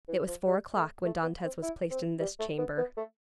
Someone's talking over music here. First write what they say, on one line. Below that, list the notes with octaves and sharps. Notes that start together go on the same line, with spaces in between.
It was four o'clock when Dantes was placed in this chamber.
E3
F3
G3
A3
A3
B3
C4
E4
C4
G3
A3
B3
B3
A3